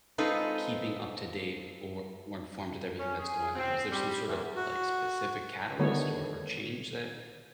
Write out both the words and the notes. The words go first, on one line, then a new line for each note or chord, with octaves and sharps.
keeping up to date or more informed with everything that's going on? Was there some sort of, like, specific catalyst or or change that,
G#3 C4 D#4 F4 A4 B4
C#4
G#4
C4
G3
E2
F#4
D3 D#3 G3 A3 B3 C#5